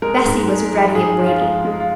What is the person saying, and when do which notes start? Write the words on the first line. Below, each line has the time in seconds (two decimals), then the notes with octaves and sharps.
Bessy was ready and waiting.
0.02 G#3 A#4
0.26 G#2
0.48 G#3
0.72 F3
0.95 G#2 G#4
1.19 F3
1.26 F4
1.41 G#3
1.65 G#3
1.80 F4